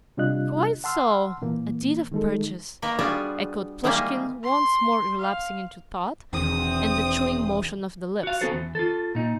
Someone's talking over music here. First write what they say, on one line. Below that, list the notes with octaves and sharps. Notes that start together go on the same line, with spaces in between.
"Quite so--a deed of purchase," echoed Plushkin, once more relapsing into thought and the chewing motion of the lips.
C3 G3 D4 F4 D#5 F#6
F#5 A5 C6 E6 F6
A#2 E3 A#3
D#3 G3 G#3 D#4 A4
D#3 A#3 A#4 B4
G3 B3 D4 F4 F#4 G#4
D#3 E3 G3 G#3 A#3 G#4
C6
F5
E1 E2 D#3 C4 D#6
F#4 F5
B3 C#4 F#4 A4 C5
E2
F4 A4
A#2 D#4